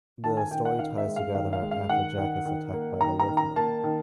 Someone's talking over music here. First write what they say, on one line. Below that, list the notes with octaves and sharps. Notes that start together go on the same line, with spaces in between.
The story ties together after Jack is attacked by the Wolfman.
D#3 A5
G#5
D#3 G5
F#5
D#3 F5
E5
G#3
F5
D#3 F5
F5
G#3
F5
D#3 F#5
D#3
D#3
A#3
D#3 A#5
A#5
D#3
A#5
A#3 A5
D#3